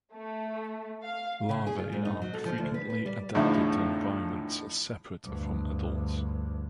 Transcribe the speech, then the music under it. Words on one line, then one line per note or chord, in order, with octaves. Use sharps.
Larvae are frequently adapted to environments separate from adults.
A3
F5
C#3
G#4
F4
G#2
D#4
F#3
A4
F3
D2
B4
B4
G3
E2 A2 D3 F3 D#4
D2 G2